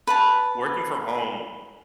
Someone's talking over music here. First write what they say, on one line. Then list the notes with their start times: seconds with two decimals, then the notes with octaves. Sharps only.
working from home
0.07 B4 F#5 A5